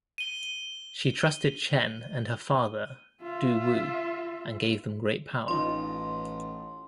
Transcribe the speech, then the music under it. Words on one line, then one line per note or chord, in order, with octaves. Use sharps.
She trusted Chen and her father Dou Wu, and gave them great power.
D#7 G7
F4 E5
A1 D#4 F4 D#5 C6